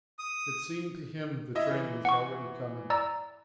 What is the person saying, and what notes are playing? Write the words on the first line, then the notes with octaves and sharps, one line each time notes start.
It seemed to him the train was already coming.
D#6
E4 D#5 E5
E3
F#5 C#6
D5 A#5 E6